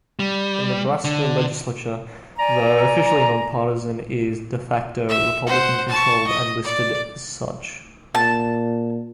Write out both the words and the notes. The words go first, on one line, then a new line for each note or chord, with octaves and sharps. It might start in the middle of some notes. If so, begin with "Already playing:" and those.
The Nebraska legislature, though officially nonpartisan, is "de facto" Republican-controlled, and listed as such.
G3
D3
D5 G#5 A#5
E5
C5 F#5
A5 C#6
D#5
D5
A#2 A5